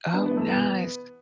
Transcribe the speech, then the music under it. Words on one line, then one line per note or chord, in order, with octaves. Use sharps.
Oh, nice.
E3 B3 D4
B3
E3
A3
B2 B3